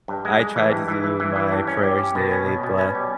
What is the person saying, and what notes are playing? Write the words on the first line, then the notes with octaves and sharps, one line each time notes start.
I try to do my prayers daily, but,
G2
G#3
G#3
E3
G2
E3
E3
E3
E3
G2
C#4
G4
G4
B2
C#4
B2
B2
C#4
G3